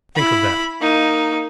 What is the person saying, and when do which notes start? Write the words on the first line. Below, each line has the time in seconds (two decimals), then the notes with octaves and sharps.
Think of that!
0.16 E4 B5
0.81 A#3 D#4